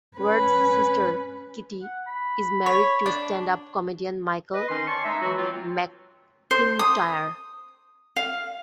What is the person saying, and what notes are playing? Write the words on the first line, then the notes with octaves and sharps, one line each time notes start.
Ward's sister, Kitty, is married to stand-up comedian Michael McIntyre.
C#4 B4
F#5
B5
C#5
D4
B4 D#5
D#3 C#4 D#4 C6
C#5 D5 A5 C6 C#6
G#3 D#4 E5
E3 F#3 F#4
F#3 C4 F4
C5
D#6
F5